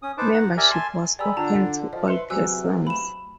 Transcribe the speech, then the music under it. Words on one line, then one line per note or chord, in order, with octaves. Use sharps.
Membership was open to all persons.
C#4 D#6
D#4 B4 C5 A5 D6
F#5 A#5
G4 A#4 D5 E5 G#5 A#5
G#5 A5 C6
G4 G#4 D5 A#5 B5 E6
D3 F4 G5 A5 A#5
F3 C5 D#5
B4 E5 C6 C#7
E2 C3 F#3 F#4 G#5 E6 F#6
A3 B5 E7